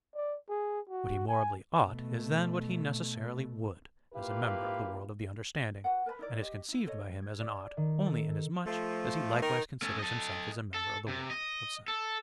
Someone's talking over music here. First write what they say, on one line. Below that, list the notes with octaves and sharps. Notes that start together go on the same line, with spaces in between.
What he morally "ought" is then what he necessarily "would," as a member of the world of the understanding, and is conceived by him as an "ought" only inasmuch as he likewise considers himself as a member of the world of sense.
D5
G#4
F#4
G#5
B2 A3
A#3 E4 F4 G4 B4 F5
F#4 B4 F#5
A#4 B4 A5 B5
D#4 E4 A#4 D5
G4 D#5
D#4 E4
A4 C5 C#5 D#5
G#6
D5
D#3
A4
A4
F3 A3
D#3 A#4
A3 C#4
A4 D#5
A4
C3
D#5
A4